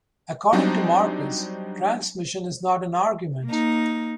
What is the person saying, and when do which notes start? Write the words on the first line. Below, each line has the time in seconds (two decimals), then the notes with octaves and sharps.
According to Marcus, 'Transmission' is not an argument.
0.53 F#3 G3 C4 D4 D#4 C5
3.45 A#3 D#4